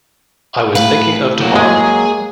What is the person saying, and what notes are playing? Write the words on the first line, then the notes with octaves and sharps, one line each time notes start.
I was thinking of tomorrow.
A2 B4 F5
F#3 A#3 F#4 G5
G#3 G#4